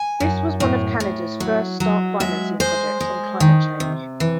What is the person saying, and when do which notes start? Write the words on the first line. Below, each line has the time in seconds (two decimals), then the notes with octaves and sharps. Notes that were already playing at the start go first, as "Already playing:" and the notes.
This was one of Canada's fast-start financing projects on climate change.
Already playing: G#5
0.20 F#2
0.60 A2
1.00 A2
1.40 F#3
1.80 F#3
2.20 G#3 E5
2.60 G#3 C5
3.01 G#3
3.40 D#3
3.80 C3
4.20 E3